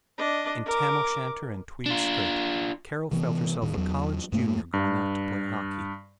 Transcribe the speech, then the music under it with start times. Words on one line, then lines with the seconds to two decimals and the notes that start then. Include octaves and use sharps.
In tam o'shanter and tweed skirt Carol felt herself a college junior going out to play hockey.
0.18 D4 D#5
0.66 A#4 D6
1.86 D4 F4
3.11 C3 E3 F#3 B3
3.61 D#1 A2 D#3
3.77 E2 F#3
4.32 G2 A3 A#3
4.73 G2